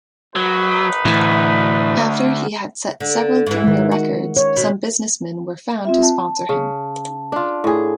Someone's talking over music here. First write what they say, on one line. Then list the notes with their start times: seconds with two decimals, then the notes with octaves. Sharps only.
After he had set several junior records, some businessmen were found to sponsor him.
0.36 G#1 F#3 D#4 B4
1.05 D2 A2 E3
3.00 D3
3.47 G#2 E3
3.64 D#3 G#3
3.92 F#4
4.37 C#5
4.56 B2
5.85 C4 F4 E5
6.02 A5
6.49 C#3
7.32 D4 F4
7.64 A2 G#4